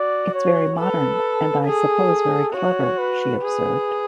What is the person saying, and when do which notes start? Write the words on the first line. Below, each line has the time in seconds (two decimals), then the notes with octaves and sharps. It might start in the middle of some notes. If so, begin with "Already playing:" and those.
"It's very modern, and I suppose very clever," she observed.
Already playing: F#4 D5
0.34 C#5
0.77 A4 B4
1.65 G#4 A4
2.54 F#4 C#5
2.99 B4
3.43 G#4